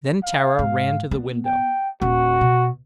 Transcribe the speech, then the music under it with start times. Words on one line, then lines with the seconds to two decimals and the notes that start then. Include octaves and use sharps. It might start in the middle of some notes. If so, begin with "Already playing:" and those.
Then Tara ran to the window.
0.24 F5
0.59 G#2
1.11 B3
1.46 G5
2.02 D#1 F#4
2.41 B2